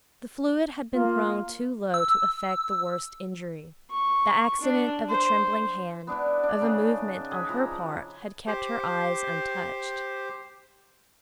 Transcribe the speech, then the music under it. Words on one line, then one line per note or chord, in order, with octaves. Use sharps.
The fluid had been thrown too low to effect the worst injury; the accident of a trembling hand, of a movement on her part, had kept her eyes untouched.
A#3 F4
E6
C#6
D4
C5
B3 D4 E4 F#5
D4
C#3 D4 D#4
G#4 B5
F3 E4 A#5
G4 C5